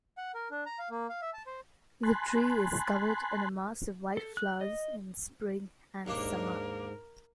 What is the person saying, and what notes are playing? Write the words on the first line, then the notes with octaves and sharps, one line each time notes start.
The tree is covered in a mass of white flowers in spring and summer.
F#5
A#4
D4
A#5
F5
A#3
F5
E5
A5
C5
G#5 A5 B5 C6 F#6
A4
F#6
D#5
D#2 G#2 A#3 D4 A#4